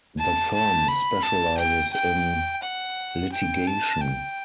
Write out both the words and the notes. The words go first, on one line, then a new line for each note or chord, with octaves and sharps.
The firm specializes in litigation.
A5
A5
B5
A5
G5
G5
F#5
G5
A5
G5